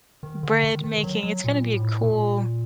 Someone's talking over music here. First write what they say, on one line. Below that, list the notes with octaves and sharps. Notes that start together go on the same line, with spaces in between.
bread making, it's gonna be a cool,
D#3
D3
D#3
D#3
D#3
F#3
F#3
A#2
A2
A#2